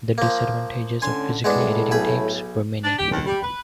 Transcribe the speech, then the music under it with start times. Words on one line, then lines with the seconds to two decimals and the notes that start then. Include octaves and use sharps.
The disadvantages of physically editing tapes were many.
0.18 F3 A#3
1.02 A2 D3 C#4 G#5 C6
1.44 A2 G#3 B3 D4
1.91 B1 G#4 B5
2.84 D4
2.99 G4
3.10 D#2
3.26 G3
3.42 B4